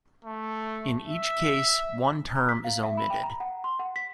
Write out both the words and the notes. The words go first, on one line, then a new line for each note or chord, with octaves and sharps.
In each case, one term is omitted.
A3
E5
A#5
B6
F5
E5
B5
G5
A#5
F#5
C6
F#5
B6